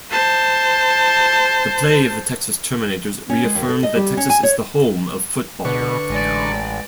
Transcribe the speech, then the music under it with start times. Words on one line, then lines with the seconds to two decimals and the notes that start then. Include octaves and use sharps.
The play of the Texas Terminators reaffirmed that Texas is the home of football.
0.10 C5 A5
3.30 C#4
3.44 G#3
3.55 D#2
3.69 A4
3.83 D#5
3.96 G3
4.17 C#4
4.30 G#5
4.43 C#5
5.65 B2 D3 B4 C#6
6.10 A1 G#3 D5